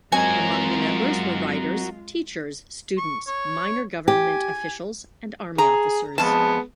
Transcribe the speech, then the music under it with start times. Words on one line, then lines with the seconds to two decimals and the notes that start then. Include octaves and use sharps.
Among the members were writers, teachers, students, minor government officials, and army officers.
0.12 F#3 G#3 C4 F4 F#4 A#4 D#5 G#5
2.97 C#6
3.27 C#5
4.08 G4 G#5
5.58 G#4 A#5
6.18 F2 G#3 B3 A5